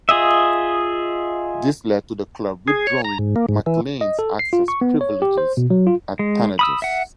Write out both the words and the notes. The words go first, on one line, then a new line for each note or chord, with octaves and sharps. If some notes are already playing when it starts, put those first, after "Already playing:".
This led to the club withdrawing McLean's access "privileges" at Tannadice.
F4 G#4 D#5 E5
G#4
C#5
A#5
G#2
A#3
G#2
E3
D#5
A4
C7
F4
C#6
B3
C#5
G4
C5
B2
F#3
F4
G#3
B5 D#6 E6
E5 F#5